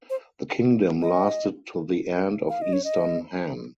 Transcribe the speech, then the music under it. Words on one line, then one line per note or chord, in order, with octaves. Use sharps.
The kingdom lasted to the end of Eastern Han.
C5
D#5
F5
D#5
C#5
D#5